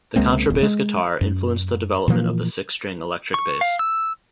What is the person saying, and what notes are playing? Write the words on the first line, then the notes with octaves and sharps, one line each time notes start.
The contrabass guitar influenced the development of the six-string electric bass.
C#2 G#3 A#3 C4
D1
G#3
F#2
A#2 E3 F3 A#3
C#6
F5
E6